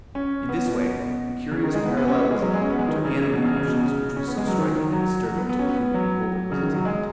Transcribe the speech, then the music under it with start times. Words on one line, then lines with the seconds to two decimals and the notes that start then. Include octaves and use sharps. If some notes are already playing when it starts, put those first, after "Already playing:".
In this way the curious parallelism to animal motions, which was so striking and disturbing to the human beholder, was attained.
0.15 C#4
0.49 B3
0.67 B2
1.52 C#3
1.63 D#3
1.74 G#3
1.85 B3
1.97 B3
2.08 C#4
2.20 B3
2.31 G#3
2.42 F#3
2.54 G#3
2.62 C#4
2.70 B3
2.79 G#3
2.88 D#3
3.05 C#3
3.22 C#3
3.33 B2
3.45 C#3
3.56 C#3
3.68 B2
3.79 C#3
4.17 C#4
4.27 B3
4.37 G#3
4.47 F#3
4.58 D#3
4.76 D#3
4.92 F#3
5.26 F#3
5.38 B3
5.49 B3
5.59 C#4
5.69 B3
5.94 F#3
6.52 C#3
6.63 D#3
6.74 F#3
6.85 G#3